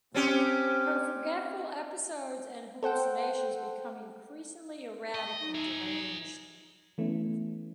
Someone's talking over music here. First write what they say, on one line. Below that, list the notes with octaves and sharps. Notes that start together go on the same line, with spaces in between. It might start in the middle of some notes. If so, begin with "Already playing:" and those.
Her forgetful episodes and hallucinations become increasingly erratic and deranged.
C4 C#4 G4
A4 C5 F#5 G5
D#5 G5
D#4
G#4 E5
E3 A3 B3 C#4 E4